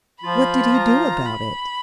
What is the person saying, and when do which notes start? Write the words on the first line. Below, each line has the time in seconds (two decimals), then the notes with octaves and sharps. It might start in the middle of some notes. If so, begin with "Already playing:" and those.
What did He do about it?
0.21 F3 F4 B5
0.75 A#5
1.26 B5